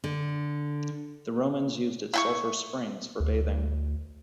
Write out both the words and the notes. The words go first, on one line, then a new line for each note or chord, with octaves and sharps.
The Romans used its sulphur springs for bathing.
D3
E4 G5 C#6
D2